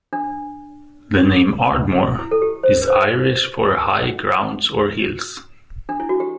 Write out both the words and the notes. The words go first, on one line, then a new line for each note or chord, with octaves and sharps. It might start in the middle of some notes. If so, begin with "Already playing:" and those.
The name "Ardmore" is Irish for high grounds or hills.
D4
E4
A4
G4
C5
B4
C5
D4
E4
F#4
G4